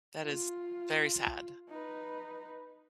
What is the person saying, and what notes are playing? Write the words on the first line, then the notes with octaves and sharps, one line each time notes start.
That is very sad,
F4
D#4 B4